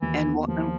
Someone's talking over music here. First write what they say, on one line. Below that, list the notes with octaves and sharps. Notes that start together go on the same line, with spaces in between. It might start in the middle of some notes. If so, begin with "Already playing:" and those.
And what no
D#2 E3
B3
D#2 F3